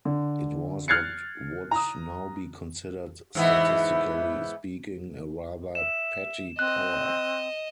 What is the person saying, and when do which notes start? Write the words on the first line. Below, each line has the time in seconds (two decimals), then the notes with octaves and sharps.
It was what would now be considered statistically speaking, a rather petty power.
0.05 D3
0.88 F6 F#6 G#6 A6 C7 C#7
1.71 A#5 D#6
3.35 G#2 E3 B3
5.75 E5 E7
6.59 C4 D#5 F#6